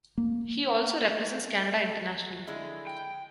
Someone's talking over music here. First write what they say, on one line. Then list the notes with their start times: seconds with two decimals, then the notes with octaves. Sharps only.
He also represents Canada internationally.
0.18 A#3
2.47 D3 G#3 E4
2.87 G5